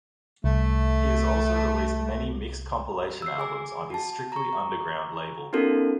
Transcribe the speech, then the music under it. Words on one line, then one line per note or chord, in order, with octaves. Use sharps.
He has also released many mixed compilation albums on his Strictly Underground label.
C2 A3
E6 C7
G#4 G#5 D6
F#4 A5
A#5 C#6
B3 C#4 D#4 F#4 A4 A#4